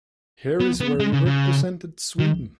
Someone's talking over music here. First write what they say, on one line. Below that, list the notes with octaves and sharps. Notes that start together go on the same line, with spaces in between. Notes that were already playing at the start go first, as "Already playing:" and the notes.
Here is where he represented Sweden.
B3
B3
G#3
C#3
C#3
D#3